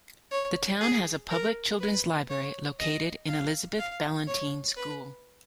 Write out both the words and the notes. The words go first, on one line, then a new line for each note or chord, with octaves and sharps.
The town has a public children's library located in Elizabeth Ballantyne school.
C#5
G#4
A#4
B4
C#5
D#5
F5
F5
C#5
B4